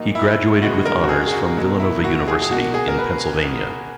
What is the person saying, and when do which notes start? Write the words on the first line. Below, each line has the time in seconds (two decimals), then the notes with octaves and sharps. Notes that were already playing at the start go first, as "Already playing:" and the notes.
He graduated with honors from Villanova University in Pennsylvania.
Already playing: A#2 F#3 A#3 D#4
0.15 E4
0.62 C#3 G#3 B3 F#4
0.85 A#4
1.04 F#4
1.09 G#4
1.27 G#4
1.33 F#4
1.57 B2 F#3 A#3
1.80 E4
2.04 F#4
2.28 G#4
2.42 G#4
2.51 B2 A#3 F#4
2.74 G#4
2.88 A#4
2.99 B4